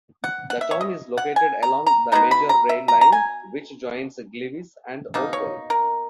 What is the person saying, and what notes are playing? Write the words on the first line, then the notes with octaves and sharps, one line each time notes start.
The town is located along the major rail line which joins Gliwice and Opole.
F#5
F#5
E5
C#5
D#5
F#5
G#5
A#5
A#5
F#3 B3 D#4 A#5
B5
A#5
E5
A#5
A#5
G#5
B2 A#3 D#4
C#5
A#4